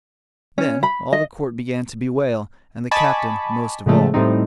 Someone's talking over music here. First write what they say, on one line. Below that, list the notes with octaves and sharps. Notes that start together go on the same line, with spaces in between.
Then all the court began to bewail, and the captain most of all.
C#4
B5
D#5
D#5 G#5 A5 B5 C#6 D6
A2 C#3 F3 G#3 A3
A2 G3 C4 D#4